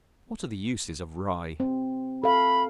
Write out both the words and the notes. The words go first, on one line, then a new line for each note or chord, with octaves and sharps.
What are the uses of Rye?
C4
A4 F5 B5